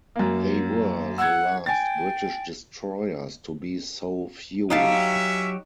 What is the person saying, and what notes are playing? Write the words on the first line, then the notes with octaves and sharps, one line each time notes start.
They were the last British destroyers to be so fueled.
F#2 A#3
F#5 E6 G#6
G5 G#5 A6
F#3 C#4 D#4 F#4 G4 E5 F5 A5